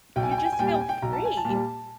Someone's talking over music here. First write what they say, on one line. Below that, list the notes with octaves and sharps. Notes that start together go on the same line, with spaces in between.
You just feel free.
B1 G5
G#5
G5
G#5
G5
G#5
A#2 G3 G5
G#5
G5
G#5
G5
B1 A#5
A5
G#5
A5
A#2 G3